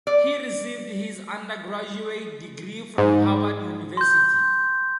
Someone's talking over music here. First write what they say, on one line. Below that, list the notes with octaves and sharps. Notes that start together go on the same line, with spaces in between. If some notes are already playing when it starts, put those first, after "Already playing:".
He received his undergraduate degree from Harvard University.
D5
G#2
C6 G6